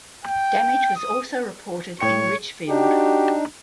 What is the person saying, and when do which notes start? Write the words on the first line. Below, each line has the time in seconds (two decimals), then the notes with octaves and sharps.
Damage was also reported in Richfield.
0.24 G5
0.96 D#6
2.00 A2 C#5 G5 C#7
2.68 D4 D#4 F#4 G4